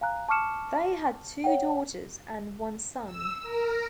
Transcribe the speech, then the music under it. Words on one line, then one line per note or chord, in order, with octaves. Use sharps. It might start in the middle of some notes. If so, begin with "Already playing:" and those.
They had two daughters and one son.
F5 G#5 A#5 F#6
A5 C#6 D6 F6 C#7 E7
C#5 F#5 G5
E6
A#4